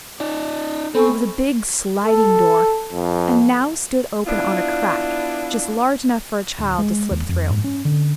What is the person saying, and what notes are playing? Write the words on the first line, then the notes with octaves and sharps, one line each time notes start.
It was a big sliding door, and now stood open on a crack just large enough for a child to slip through.
D#4 D5
B3 C4 A4 G#5 C#6
A4
F2
B3 D4 E4 F4
D1
G#3
D#2
F2
G#2
C#4
D3